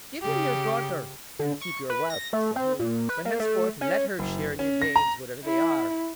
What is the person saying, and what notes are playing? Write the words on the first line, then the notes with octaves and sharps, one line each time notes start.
'Give him your daughter and keep your wealth,' said he; 'but, henceforward, let her share in your gains, whatever they are.'
C#3 G4
D3
C#6
B4
A#6
A3
C4
A#2
B4
A#3
A3
C#4
F#1
C#4
A#6
A#5
E4